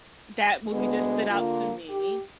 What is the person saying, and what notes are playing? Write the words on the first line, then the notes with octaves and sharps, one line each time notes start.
that movie just stood out to me
D2 G#3 B3
D3 A#3 F4
G4